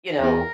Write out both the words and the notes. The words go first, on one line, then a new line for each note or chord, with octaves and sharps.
you know
E2 A#4